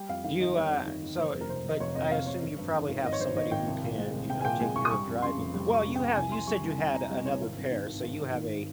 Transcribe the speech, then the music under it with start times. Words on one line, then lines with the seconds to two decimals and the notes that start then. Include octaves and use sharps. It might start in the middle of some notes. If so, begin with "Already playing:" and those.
Do you, uh so but I assume you probably have somebody who can, you know, take care of driving. Well, you have you said you had another pair, so you have a
Already playing: G3 G5
0.09 F2 F5
0.24 D#3 F5
0.40 G1 D#5
0.55 G3 C#5
0.71 F2
0.86 D#3
1.02 G1
1.18 F1 C5
1.34 F2
1.41 A#4
1.49 C3 C5
1.65 F1 D#5
1.80 F1 C#5
1.95 F2 D#5
2.11 C3 F5
2.27 F1 C#5
2.42 G#1
2.58 G2
2.74 D#3
2.89 G#1
3.05 G#1 D#5
3.13 C#5
3.20 G2 C5
3.36 D#3 D#5
3.51 G#1 G5
3.68 C2
3.83 A#2
3.98 G#3
4.13 C2
4.30 C2 G5
4.41 G#5
4.45 A#2 G5
4.60 G#3 G#5
4.75 C2 C#6
4.85 D#6
4.91 G3 C#6
5.07 F2
5.22 C#3 C6
5.38 F1
5.54 G3
5.70 F2 C#6
5.85 C#3
5.96 G5
6.01 F1
6.16 C2 G#5
6.31 C3 C6
6.47 G3 C#6
6.63 C2
6.79 C2
6.94 C3 A#5
7.09 G3 D#5
7.25 C2 C#5
7.41 G#1
7.56 G2
7.72 D#3
7.87 G#1
8.03 G#1
8.19 G2
8.34 D#3